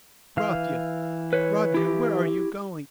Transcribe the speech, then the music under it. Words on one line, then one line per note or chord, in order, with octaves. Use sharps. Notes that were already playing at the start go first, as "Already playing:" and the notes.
Rodya, Rodya, where are you going?
E3 F5
B4 C#5
E4 G4